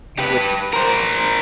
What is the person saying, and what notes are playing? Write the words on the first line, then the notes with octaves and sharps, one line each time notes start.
he would,
G4 B4
A#4 C5